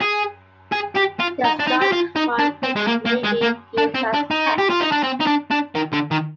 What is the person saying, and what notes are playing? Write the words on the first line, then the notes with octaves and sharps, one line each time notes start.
It is not hunted but may be used as pets.
G#4
G#4
G4
F4
D#4
D4
D#4
G4
F4
D#4
D4
C4
G#3
A#3
A#3
G#3
A#3
D4
C4
D4
D#4
G4
F4
D#4
D4
C4
D#4
D4
D4
D#3
D3
D#3